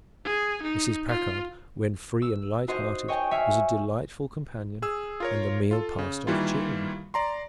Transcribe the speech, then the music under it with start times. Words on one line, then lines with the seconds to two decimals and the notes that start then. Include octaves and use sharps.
Mrs. Packard, when free and light-hearted, was a delightful companion and the meal passed off cheerily.
0.25 G#4
0.62 D#4
1.08 F4
2.22 E6
2.68 D#4 F#4 C5 D#5
3.08 C#5 D#5 G5 G#5
3.31 C#5 E5 F5 G#5 E6
4.82 G#4 E6
5.20 F4 A#4 C#5
5.71 F4 A4
5.99 C#3
6.27 D#3 E3 G3 A#3 E4 F4
7.14 D5 A#5 C6